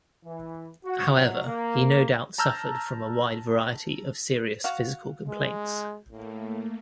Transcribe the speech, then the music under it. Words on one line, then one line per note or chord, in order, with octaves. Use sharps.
However, he no doubt suffered from a wide variety of serious physical complaints.
E3
F#4
F#3
A#3
A5 A#5 E6 F6 G6
F#4 F5
G#3
A2 A3 A#3